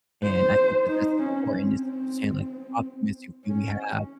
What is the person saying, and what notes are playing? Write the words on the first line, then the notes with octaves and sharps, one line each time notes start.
and I think that that's important just to understand, like, the optimistic view we have
C5
D#4
C#4
C4
C#4